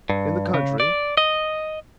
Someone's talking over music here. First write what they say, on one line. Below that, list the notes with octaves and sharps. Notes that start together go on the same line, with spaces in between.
"In the country?"
G2
C#3
D5
D#5